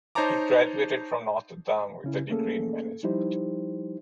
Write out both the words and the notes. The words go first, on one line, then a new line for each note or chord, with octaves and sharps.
He graduated from Notre Dame with a degree in management.
D#4 C5 C#5 A5 A#5 D6
C#3 C#4 E4
A3 A#3 C#4 G#4 A4
F3 G3 D#4 E4 G4 C5